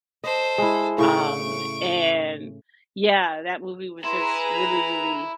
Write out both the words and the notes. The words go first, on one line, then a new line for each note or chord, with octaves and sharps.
Um, and yeah, that movie was just really, really,
A4 C5 D#5
G#3 E4
A2 C#3 C#6 D7
E4 G#4 B4 A#5 C6
F7